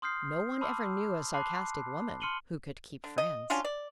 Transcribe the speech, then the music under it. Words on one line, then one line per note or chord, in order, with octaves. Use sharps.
'No one ever knew a sarcastic woman who could keep friends.
C6 D#6 F6 G6 C7
A5 B5 C6 D6 E6 F6
A5 B5 C6 D6 F#6 C7
C6 F6 C#7 D#7 F#7 G7
D3
D#5
C#4 D4 F4 F#4
D5